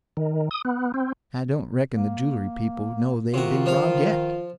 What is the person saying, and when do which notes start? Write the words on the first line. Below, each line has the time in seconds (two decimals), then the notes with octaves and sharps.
I don't reckon the julery people know they've been robbed yet.
0.17 D#3
0.51 D#6
0.65 B3
0.94 C4
1.95 A#3
3.34 C3 D#3 F4 F#4
3.66 F3 F5